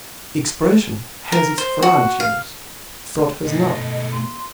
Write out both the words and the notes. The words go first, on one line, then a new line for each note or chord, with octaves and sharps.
Expression has its frontiers, thought has none.
A#4
C5
F#4
F5
B2 A3 D#5
C6